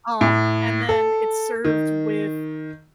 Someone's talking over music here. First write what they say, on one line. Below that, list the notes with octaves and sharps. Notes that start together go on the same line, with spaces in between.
Um, and then, it's served with
A2
A4
D#3